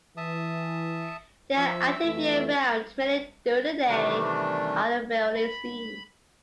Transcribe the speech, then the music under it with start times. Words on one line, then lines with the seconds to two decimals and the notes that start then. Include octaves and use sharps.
They are active year-round, mainly during the day, but are rarely seen.
0.17 E3 E5 A5 D#6
1.57 F3 E5 E6
2.03 F2 E3 A3
3.88 C3 D#3 E3 G3 A3 D4
5.36 B5